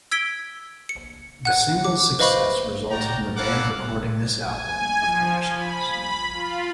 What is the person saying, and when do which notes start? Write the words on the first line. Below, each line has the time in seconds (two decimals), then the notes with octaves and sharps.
The single's success resulted in the band recording this album of cover songs.
0.12 E6 G#6 B6 D7 G7
0.89 C#7
1.45 F#5 F#6
1.85 D6
2.19 B4 C5 D#5 F5 B5 C#6
2.90 F#4 D5 G5 A#5
3.36 A#3 A4 B4 F5 F#5 D6
4.37 G#5
5.04 F3
5.54 B5
5.98 B5
6.31 F4